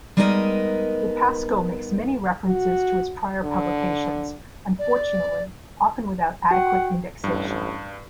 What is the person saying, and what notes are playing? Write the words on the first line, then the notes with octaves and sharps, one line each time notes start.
Lupasco makes many references to his prior publications, unfortunately, often without adequate indexation.
G3 G#3 B3 D#4 A#4 D#5
F#4
D3
D5
F#4 F#5 G5
A1 G2